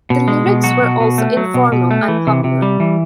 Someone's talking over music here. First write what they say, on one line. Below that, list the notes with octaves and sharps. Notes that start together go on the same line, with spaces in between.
The lyrics were also informal and popular.
B2
G#3
B2
F#3 F#4
B2
B2
A3
F#3
B2
B2
A3
E3
C3
C3
G3
E3